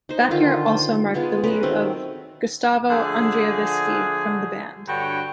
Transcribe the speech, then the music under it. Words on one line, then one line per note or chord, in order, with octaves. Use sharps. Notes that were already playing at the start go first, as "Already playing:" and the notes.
That year also marked the leave of Gustavo Andriewiski from the band.
D#4 C5
D3 D#3 F4
C5
G#3 B3 F4 G#4
C#4 G#4 A#4 B4
D#3 F#3 A3 C4
D3 F3 A3 G#4
G2 D3 F#4 C#5 G5